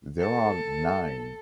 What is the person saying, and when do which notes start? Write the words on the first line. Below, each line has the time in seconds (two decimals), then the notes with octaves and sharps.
There are nine.
0.18 A4